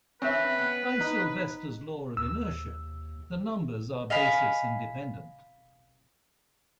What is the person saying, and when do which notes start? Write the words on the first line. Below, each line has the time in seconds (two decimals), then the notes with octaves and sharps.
By Sylvester's law of inertia, the numbers are basis independent.
0.22 C4 C#4 B4 E5
0.58 B3
1.01 D#4
2.17 D#2 E6
4.10 D#5 F5 G#5 B5